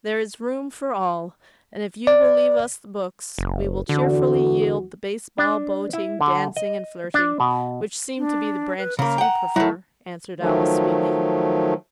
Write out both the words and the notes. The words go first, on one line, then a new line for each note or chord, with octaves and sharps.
'There is room for all; and if you will leave us the books, we will cheerfully yield the baseball, boating, dancing, and flirting, which seem to be the branches you prefer,' answered Alice sweetly.
D5
F#1
E2 D3 E3 F#4
D4
E4
D3
D#5
D4
B2
D4
B4
C#3 A#3 A#5
F#5 G5
F#3 A3 E4
D#3 F3 F#3 A3